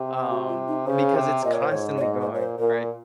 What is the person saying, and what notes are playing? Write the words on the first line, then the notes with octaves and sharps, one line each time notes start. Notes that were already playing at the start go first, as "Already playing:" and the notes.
um, and because it's constantly going, right?
Already playing: C3
F#4
F4
D#4
C#3 C5
C3
A#2 D#5
C#5
C5
G#2 C#5
C#5
G#2 D#5
C5
A#2 C#5
C5
A#2 A#4